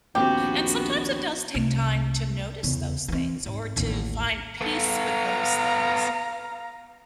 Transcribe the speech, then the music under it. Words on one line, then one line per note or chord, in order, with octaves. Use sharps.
and sometimes it does take time to notice those things or to find peace with those things,
A#1 D#2 B3 C4 F#4 G4
C2 A3
E2 C#3
E3 C4
G#2
A1 D#2
B3 A4 F5 A#5